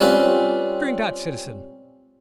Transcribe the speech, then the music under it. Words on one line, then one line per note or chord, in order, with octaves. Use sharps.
Drink that, citizen.
G3 C4 C#4 F4 B4